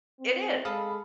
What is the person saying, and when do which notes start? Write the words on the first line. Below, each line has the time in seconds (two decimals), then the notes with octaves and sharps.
It is.
0.19 C4
0.65 G#3 A4 F5 B5 D#6